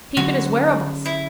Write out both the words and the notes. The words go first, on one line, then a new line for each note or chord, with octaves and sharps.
Peep at his wearables.
D3 F#3 C#4 F#4
E4